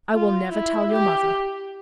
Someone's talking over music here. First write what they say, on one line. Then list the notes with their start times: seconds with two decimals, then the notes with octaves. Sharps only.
I will never tell your mother.
0.14 F4
0.53 E4
0.93 G4